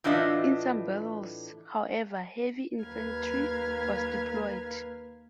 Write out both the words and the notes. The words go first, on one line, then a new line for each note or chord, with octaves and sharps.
In some battles, however, heavy infantry was deployed.
A2 E3 D4 F4 D#5 E5
D#2 A#4 B4 F5 F6 G#6